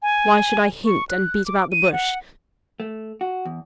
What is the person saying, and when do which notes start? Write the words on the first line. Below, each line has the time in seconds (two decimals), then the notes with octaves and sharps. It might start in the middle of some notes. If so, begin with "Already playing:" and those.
Why should I hint, and beat about the bush?
0.02 G#5
0.86 C#6
1.09 F#6
1.46 D6
1.72 D#7
1.92 F#5
2.80 A3
3.21 F#4
3.45 E2